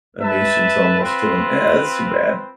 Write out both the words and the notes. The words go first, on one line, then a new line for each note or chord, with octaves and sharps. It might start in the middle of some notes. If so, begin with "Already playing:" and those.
a nuisance almost to him. Eh, that’s too bad.
B4 E5 A5
C4 F4 B4